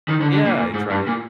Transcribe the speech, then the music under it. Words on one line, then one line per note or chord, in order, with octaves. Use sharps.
yeah, I try
D#3
D3
D3
A#2
A#2
G#2
G2
A#2